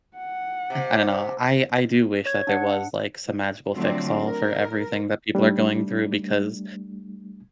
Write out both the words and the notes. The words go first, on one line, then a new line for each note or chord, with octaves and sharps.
I don't know. I I do wish that there was, like, some magical fix all for everything that people are going through because,
F#5
C3
C#5 G#6
D4 F#5 C#7
D3 F3 F#3 A3 C4 D4
A#4
G3 A3 D4